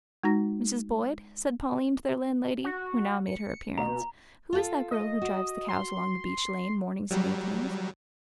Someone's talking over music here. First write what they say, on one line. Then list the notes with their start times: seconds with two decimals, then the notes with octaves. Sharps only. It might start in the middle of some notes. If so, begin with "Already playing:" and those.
"Mrs. Boyd," said Pauline to their landlady, who now made her appearance, "who is that girl who drives the cows along the beech lane mornings and evenings?"
0.23 G#3 D#4 F#4 A#5 A#6
2.64 F#4
3.27 C#7
3.78 B2 A#5
4.53 F4 A4
4.91 D#5
5.22 F#4
5.69 C6
7.10 F#3 G3